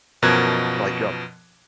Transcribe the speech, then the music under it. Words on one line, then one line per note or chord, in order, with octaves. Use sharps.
Like, uh
F#2 B2 F3 A#4 F#6 G#6